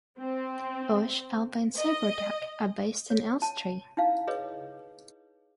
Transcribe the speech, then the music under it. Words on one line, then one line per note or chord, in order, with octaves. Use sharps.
Bush, Alba and Cyber-Duck are based in Elstree.
C4
D#5
C#5
A5
D#4 E4 F5
G#4 B4 C#5 D#5